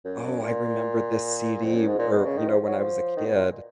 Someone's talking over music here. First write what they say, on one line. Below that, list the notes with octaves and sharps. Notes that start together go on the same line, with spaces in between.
"Oh, I remember this CD." Or, you know, when I was a kid,
F#2
F#2
A#2
F2
F#2
G#2
A#2
B2
C#3
D#3
F3
F#3
F3
D#3
B2
A#2